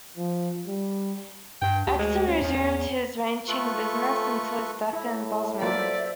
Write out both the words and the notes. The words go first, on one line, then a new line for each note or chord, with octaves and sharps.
Ecton resumed his ranching business until his death in Bozeman.
F3
G3
G2 G5
D2 G4
G#3
C#4
E2
A3 F4 A4 B4 C#6
A2 E4
F#3 A#3 F4 A4 C5 D5 E5